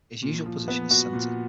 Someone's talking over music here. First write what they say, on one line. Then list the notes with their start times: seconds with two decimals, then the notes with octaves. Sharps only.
His usual position is centre.
0.23 A#2
0.46 F3
0.68 B3
0.91 F#4
1.13 A#2